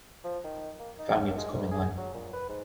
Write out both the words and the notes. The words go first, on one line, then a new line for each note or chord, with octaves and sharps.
The family was coming on.
F3
D#3
A#3
D#4
C#4
G#3
D2
G#4
F#3
A#2
B4
G#2